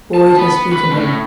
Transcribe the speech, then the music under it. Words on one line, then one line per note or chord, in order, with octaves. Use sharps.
Boyd has beaten him.
A5
B3
B4
A2